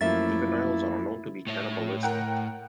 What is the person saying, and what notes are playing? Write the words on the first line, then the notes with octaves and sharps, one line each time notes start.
Juveniles are known to be cannibalistic.
F#2 F3 A3 A#3 E4 E5 A6
A2 C#5 E5
A#4 F#5 G5